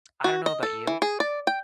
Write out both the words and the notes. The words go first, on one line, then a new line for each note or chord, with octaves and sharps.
I don't know about you,
F#4
D#5
A4
E3
G#4
D5
G5